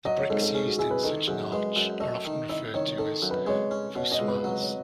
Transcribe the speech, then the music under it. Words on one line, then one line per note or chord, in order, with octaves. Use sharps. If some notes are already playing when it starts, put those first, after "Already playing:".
The bricks used in such an arch are often referred to as 'voussoirs'.
F#3 D#5
C#5
G#2 A4
A4
C#4 G#4
F#4
E4 G#4
B4
D#3 A4
F#2 G#4
G#3 B4
F#2
A3 D#5
D#3
E4 D#5
D#3 C#5
D#3 A4
F#2
B4
G#3 C#5
C#4
B2 C#5
D#5
C#2
B4
F#3 B4
C#5